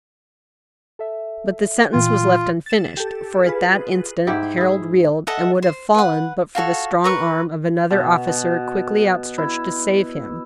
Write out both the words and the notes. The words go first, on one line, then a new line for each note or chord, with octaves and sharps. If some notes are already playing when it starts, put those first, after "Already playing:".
But the sentence was left unfinished; for at that instant Harold reeled, and would have fallen but for the strong arm of another officer quickly outstretched to save him.
A4 E5
A#2 E3 F4 G5
A6 E7
G4 A4
F4 G#4 B4
G#2 E4 G4
E4 G#4
A4 D#5 E5 F#5
C5
B4 F#5
F4 F#4 A4 C#5
A#4 B4 C#6
B2
B2
E4